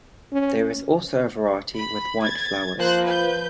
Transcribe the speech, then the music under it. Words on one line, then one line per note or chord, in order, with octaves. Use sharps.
There is also a variety with white flowers.
C#4
B5
G#6 A6
F3 A#3 C5 F#6
B4 G6